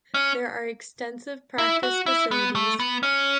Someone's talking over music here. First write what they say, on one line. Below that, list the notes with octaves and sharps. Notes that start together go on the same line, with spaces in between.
There are extensive practice facilities.
C#4
E4
F#4
E4
B3
A3
B3
C#4